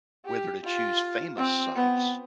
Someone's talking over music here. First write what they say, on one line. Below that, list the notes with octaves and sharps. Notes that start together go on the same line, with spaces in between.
whether to choose famous sites
G4
F4
C4
B3